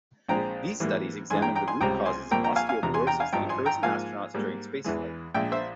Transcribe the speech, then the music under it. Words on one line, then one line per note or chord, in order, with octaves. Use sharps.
These studies examined the root causes of osteoporosis that occurs in astronauts during spaceflight.
A#1 A#2 G#3 C4 G5 A#5
G#2 E3 G3 A#3
G2 E3 G#3 G#5 C6
G5 A#5
G5 A#5
G#5 C6
C#2 C3 G3 C4 G5 A#5
G#5 C6
C2 A#2 F3 A#3 G5 A#5
G5 A#5
F5 G#5
F5 G#5
E2 C3 F3 A#5
G#5 C6
G5 A#5
F5 G#5
G#1 G2 F3 G5 A#5
G#5 C6
G5 A#5
G#2 F3 A#3 F5 G#5
G#2 G3 A#3
E2 E3 G#3
A#1 A#2 G#3 E5 G5
C5 E5